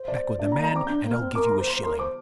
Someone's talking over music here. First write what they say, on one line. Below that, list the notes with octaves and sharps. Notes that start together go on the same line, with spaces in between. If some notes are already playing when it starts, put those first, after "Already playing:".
Come back with the man, and I'll give you a shilling.
Already playing: C5
D5
D4 D5
A#5
A#3
A#5
C4 D6
D4 G6
A#3
F6
C4
A#4 D6
C6
A#5
C5
C6
C5
A#4 C6
C5 D6